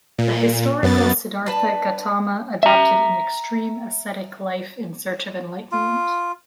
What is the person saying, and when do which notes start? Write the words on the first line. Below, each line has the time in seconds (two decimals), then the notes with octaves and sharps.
The historical Siddhartha Gautama adopted an extreme ascetic life in search of enlightenment.
0.18 A#2
0.83 F#2 B3 A6
1.46 D4 B4 A5
2.63 E5 A#5
5.72 F4